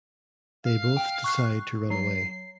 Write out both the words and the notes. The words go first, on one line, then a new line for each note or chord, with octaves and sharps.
They both decide to run away.
F5
G5
C#6 F#6 C7
F#3 C7